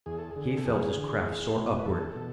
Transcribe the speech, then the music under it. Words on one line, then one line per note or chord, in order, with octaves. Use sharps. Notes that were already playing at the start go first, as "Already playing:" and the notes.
He felt his craft soar upward.
E2 G#4
A4
G#4
D3
A4
E2 G#4
D3
E2
B2
B4
E2 A4
B2